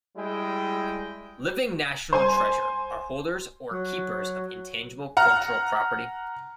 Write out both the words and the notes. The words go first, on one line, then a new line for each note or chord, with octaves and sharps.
Living National Treasure are holders, or keepers of Intangible Cultural Property.
G3 G#3 E4 D#5 G5
C5 G#5 C6
F#3
F#5 A#5 F6